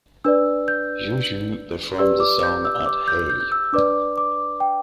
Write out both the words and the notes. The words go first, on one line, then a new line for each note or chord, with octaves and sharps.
Juju performed the song at Hey!
D4 B4 D5 E6
G6
G4 B4 D5 E6
D6
G6
E6
D6
G6
G6
G6
E6
D4 B4 D5 D6
D6
G5